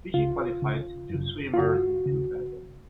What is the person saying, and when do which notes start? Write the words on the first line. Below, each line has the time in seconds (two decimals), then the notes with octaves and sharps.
Fiji qualified two swimmers in two events.
0.14 C#2 C#3 F4
0.62 C#2 C#3
1.10 F#2 C#3
1.54 F4
1.58 F#2 C#3 F#4
2.06 D#2 C#3